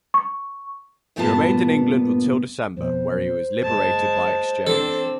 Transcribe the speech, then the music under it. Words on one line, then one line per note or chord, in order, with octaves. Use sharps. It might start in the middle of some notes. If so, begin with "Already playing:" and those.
He remained in England until December, when he was liberated by exchange.
C#6
D2 G2 A#2 B3 F4 A5
F2 B2 C5
F#1 G#3 A5
E3 C4 D4 A4